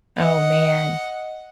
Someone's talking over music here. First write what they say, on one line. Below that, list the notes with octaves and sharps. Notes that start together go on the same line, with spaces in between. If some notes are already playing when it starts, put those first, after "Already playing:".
Oh, man.
D#5 F#5